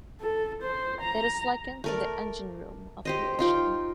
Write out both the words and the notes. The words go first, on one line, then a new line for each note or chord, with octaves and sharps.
It is likened to the 'engine-room' of creation.
A4
C5
A#5
A3 A#4 D5
G4 C5 D#5
D#4 F4 G5